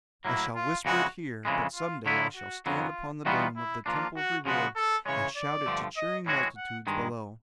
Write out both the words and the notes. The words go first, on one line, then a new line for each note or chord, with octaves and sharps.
"I shall whisper it here, but some day I shall stand upon the dome of the Temple of Reward and shout it to cheering multitudes below."
A2 F#3 A#3 E4
F4
F2 C#3 E3 G#3 F#4
F2 C#3 E3 G#3
F4
D3 F#3 B3 E4 F4
F#4
F2 C#3 F#3 B3 F4
E3 G3 B3 D#4 F4 F#4
E4
F3 A#3 D4 F4
F#4
C#3 F3 G#3 B3 F#4
A4
C#3 E3 G#3 C#5
D5
G2 D3 F3 A3
D#5
A2 E3 G#3 C#4 F#4 C#5
F#5
G2 D#3 G#3